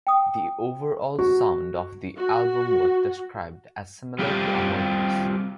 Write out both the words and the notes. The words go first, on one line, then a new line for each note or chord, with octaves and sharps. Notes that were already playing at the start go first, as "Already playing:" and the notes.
The overall sound of the album was described as similar to Amorphis.
G5 D#6
F#4
F#4
G3 C4 F4 G4 D5